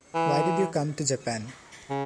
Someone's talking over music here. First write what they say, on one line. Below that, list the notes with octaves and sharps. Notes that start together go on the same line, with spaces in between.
Why did you come to Japan?
E3
C#3